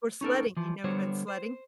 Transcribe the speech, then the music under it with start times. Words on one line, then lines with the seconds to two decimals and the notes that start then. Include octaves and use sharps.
Or sledding. You never been sledding?
0.21 C#4 D#4 A4 A#4
0.57 E3 F3
0.84 D3 G3 B3 C5 C#5
1.28 C5